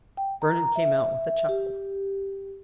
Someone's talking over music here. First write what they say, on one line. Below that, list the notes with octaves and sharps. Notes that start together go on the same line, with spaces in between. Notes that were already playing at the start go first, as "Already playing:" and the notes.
Vernon came out with a chuckle.
G5
A#5
E5
G4